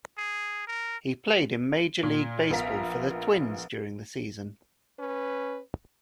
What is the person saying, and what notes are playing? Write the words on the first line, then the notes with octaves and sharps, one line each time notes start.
He played in Major League Baseball for the Twins during the season.
G#4
A#4
A#2
A#1 B3 A#4 F5 A#5 B6
C#4 B4